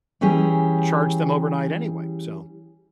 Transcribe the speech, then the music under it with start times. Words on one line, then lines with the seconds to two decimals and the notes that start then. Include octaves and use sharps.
charge them overnight anyway, so
0.21 E3 G3 C#4 G4 G#4